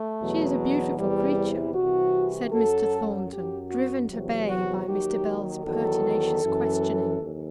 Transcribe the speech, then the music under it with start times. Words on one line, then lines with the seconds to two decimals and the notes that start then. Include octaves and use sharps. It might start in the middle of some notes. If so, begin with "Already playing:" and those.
She is a beautiful creature,' said Mr. Thornton, driven to bay by Mr. Bell's pertinacious questioning.
Already playing: A3
0.20 E2 B2 F#3
0.97 E2 C3 E3 G3
1.75 C2 C3 E3 F#4
2.53 F#2 F#3 A4
3.31 F#2 F#3 G4
3.69 F#4
4.09 E2 C3 F#3
4.48 F#4
4.86 D#2 D#3 F#3 G4
5.65 E2 D#3 F#3 A4
6.42 F#2 E3
7.20 D#2